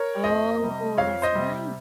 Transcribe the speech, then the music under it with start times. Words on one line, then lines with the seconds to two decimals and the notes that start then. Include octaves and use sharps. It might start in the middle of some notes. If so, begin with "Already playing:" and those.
Oh, that's right.
Already playing: A#4 C#5
0.24 F2 C5 D#5
0.61 C3 G3
0.98 F2 C#5 F5
1.22 C5 D#5
1.35 C3 G3